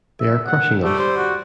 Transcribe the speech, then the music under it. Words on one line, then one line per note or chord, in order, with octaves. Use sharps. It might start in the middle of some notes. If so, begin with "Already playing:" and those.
They are crushing us.
E5
F#5
G3 A3
C5
F#4